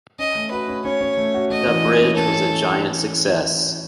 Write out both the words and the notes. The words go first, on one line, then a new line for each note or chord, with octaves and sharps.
The bridge was a giant success.
C#4 D#5
A3
F#4 B4
C#4
C#4 C#5
C#4
A3
F#4
A3 D#5
E3
C#4
C#4
C#4 A4
C#4